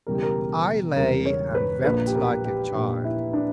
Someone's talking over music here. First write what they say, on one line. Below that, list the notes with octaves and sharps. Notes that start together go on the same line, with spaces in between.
I lay and wept like a child.
E1 E2 C#3 G3 A#4
G4
A#4
E1 E2 C#3 G3 A#4
C#5
B4
A#1 A#2 A#3 B4
G4
A#4
G4
A#1 A#2 A#3 G4
E4
D4